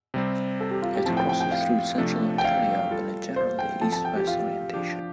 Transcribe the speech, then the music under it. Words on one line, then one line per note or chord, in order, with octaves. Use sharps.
It crosses through central Ontario in a generally east-west orientation.
C3 G3 C4
A4
G4
F4
G4
A2 F3 C4 A5
G5
G5
G5
F5
C3 F3 A3 D4 A4
G5
F5
G3 F4 A4
C5
G5
F3 C4 A4 A5
A5
G5
G4
F4
F3 D4 G4